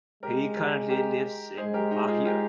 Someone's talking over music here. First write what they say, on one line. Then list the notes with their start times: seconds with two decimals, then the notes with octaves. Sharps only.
He currently lives in Bahia.
0.23 G#3 G4 A#4
0.57 G4 A#4
0.90 G4 A#4
1.57 G#3 G#4 C5
1.74 G4 A#4
1.91 D#4 G4
2.07 F4 G#4
2.25 G4 A#4